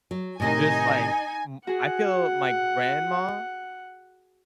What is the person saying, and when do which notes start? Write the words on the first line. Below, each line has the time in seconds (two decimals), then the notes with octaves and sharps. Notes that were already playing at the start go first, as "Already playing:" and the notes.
just like m I feel my grandma
0.11 F#3
0.40 A2 C3 D#3 D#4 D#5 G#5
1.67 F#4 G#4 F#5